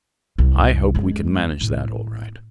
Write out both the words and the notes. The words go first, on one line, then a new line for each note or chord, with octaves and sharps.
"I hope we can manage that all right."
C2
F#2 G#3
A2